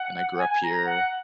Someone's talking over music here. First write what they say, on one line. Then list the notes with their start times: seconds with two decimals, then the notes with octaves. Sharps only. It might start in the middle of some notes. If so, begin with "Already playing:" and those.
and I grew up here."
Already playing: F#5
0.38 G#5
0.50 G#5
0.63 A#5
0.73 A#5
0.86 F#5